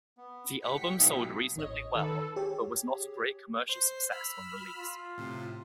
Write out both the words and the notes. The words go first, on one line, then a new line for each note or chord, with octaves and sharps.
The album sold reasonably well, but was not a great commercial success on release.
B3
A2 G4 F#5 G5 B6 C#7
B1 B2 F#3 D#4
A1 C#5 D#5
D#3 A4 B4
G4 G#4 C#5
C5 C7
B5 E6 F6
F4
A2 C3